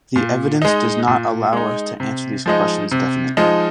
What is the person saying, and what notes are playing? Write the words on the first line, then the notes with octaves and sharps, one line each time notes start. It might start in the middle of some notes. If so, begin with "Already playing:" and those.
The evidence does not allow us to answer these questions definitely.
A#2
G#3 D#4
A#2
G#3 D#4
C3
F3 G#3 D#4
C3
F3 G#3 D#4